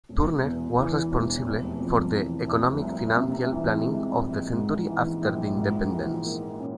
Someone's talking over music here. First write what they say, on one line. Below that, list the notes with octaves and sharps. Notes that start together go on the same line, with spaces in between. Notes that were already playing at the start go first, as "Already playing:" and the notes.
Turner was responsible for the economic, financial planning of the country after the independence.
E1
E2
E3
E1
F1
F2
E3
F1
C2
C3
E3
G#3
A#1
G#2
E3
A#1
G#2
E3
A#3
C#4